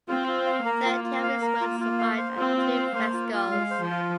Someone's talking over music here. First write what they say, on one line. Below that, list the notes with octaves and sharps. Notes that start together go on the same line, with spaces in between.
Thirteen of his works survived and two frescos.
C4 F4
F4
F5
A#3 A#4
F4
F4
F5
A#4
F4
F4
F5
C5
C4 F4
F4
F5
A#3 C5
F4
F4
G#3 F5
C5
F3
F4